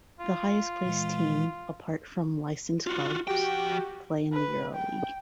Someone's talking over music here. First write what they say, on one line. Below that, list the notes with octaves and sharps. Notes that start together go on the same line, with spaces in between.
The highest-placed team, apart from licensed clubs, play in the EuroLeague.
F4
A#2 E3 G#3
F4 F#4
F3 F#4 G4 G5
B4
G5